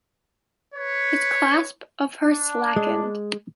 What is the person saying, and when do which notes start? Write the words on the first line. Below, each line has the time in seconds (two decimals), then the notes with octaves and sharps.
His clasp of her slackened.
0.74 B4 C#5
2.23 D4
2.76 G#3